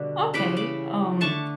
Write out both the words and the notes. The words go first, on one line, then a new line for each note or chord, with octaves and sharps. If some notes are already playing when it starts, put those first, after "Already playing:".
Okay. Um,
Already playing: B2 D3 G3 D4
C#3 E3 G3 B5 D6
B5 D6
D3 A3 D4 A5 C#6